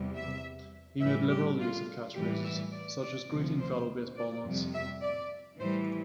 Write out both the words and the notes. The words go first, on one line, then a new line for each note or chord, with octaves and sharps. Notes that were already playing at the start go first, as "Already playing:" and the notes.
He made liberal use of catchphrases, such as Greetings fellow baseball nuts!
Already playing: E2 C3 G3
E5
A2 E3 G3 E5
G4
F4
A2 E3 G3 G4
E5
D5
D5
D2 C3 F3
C5
D5
F2 C3 G3
E5
D5
A2 E3 G3 C5